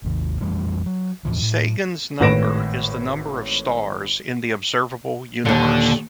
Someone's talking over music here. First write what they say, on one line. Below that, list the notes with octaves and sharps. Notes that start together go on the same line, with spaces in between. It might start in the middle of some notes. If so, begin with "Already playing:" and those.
Sagan's number is the number of stars in the observable universe.
G#1 D#2
F2 E3 G3 A3
F#3
E2 A2 E3 F3
A2
G#1 A2 B4 A#6 D7 E7
D#2 A#2 D3